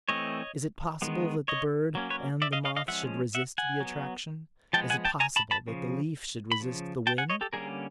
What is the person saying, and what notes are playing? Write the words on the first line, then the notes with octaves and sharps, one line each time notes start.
Is it possible that the bird and the moth should resist the attraction? Is it possible that the leaf should resist the wind?
E3 A3 C4 C#5 D#5
D#3 G#3 B3
C#5 D#5
F#3 A#3 C#4
B4 C#5
D5 E5
D#5 F5
D#5 F5
D#5 F5
F3 G#3 C#4 E5 F#5
E5 F#5
F#5 G#5
F#3 B3
F3 G#3 B3 G5 A5
F#5 G#5
G5 A5
G#5 A#5
A5 B5
A5 B5
C#3 F3
B5
C#3 F3
G5 A5
F#5 G#5
C#5 D#5
G4 A4
D3 G3 A#3 C#4 G#4 A#4